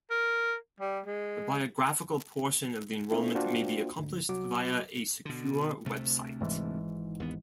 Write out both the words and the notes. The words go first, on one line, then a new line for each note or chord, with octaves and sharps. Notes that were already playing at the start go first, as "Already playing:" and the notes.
The biographical portion of the enrollment may be accomplished via a secure web site.
A#4
G3
G#3
A3 C4 D4 E4 F4 A4
A#3 D4 F4 F#4 C5 G5
D2 G#2 D3
C2 F#3 F#4 D6
B2 D3
D2 C3 A3
G#1 G#2 E3
D#2 B3